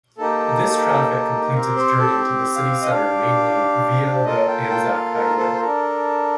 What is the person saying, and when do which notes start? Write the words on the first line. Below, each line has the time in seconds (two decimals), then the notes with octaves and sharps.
This traffic completes its journey to the city centre mainly via the Anzac Highway.
0.18 A#3 D#4 G4 A4
1.54 C4 G4 A#4
1.76 C5
1.99 A4
2.56 F5
2.82 D#5
2.90 D4 G4 F5
4.25 A#3 F4 A4 D#5
4.48 G5
4.70 G5
4.92 F5
5.15 A#4
5.38 A4
5.54 C5
5.60 D4 A4 A#4